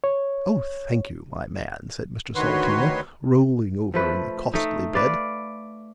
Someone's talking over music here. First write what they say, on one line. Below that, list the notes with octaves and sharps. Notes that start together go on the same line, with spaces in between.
Oh thank you my man said Mr Salteena rolling over in the costly bed.
C#5
D2 D#3 F#4 B4 C#5 C6
F3 A3 B4
A3 D#4
B4 D5 F5